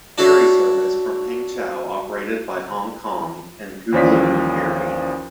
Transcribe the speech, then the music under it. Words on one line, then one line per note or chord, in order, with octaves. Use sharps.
Ferry Service from Peng Chau operated by Hong Kong and Kowloon Ferry.
D4 F#4 C#5 E5
D#2 E3 F3 C#4 D5 B6